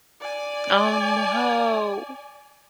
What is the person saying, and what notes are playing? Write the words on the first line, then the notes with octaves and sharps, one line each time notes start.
Oh, no.
D5 G#5